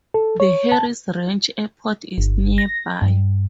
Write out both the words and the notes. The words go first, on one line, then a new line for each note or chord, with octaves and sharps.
The Harris Ranch Airport is nearby.
A4
C#5
A5
G1
A#6
G2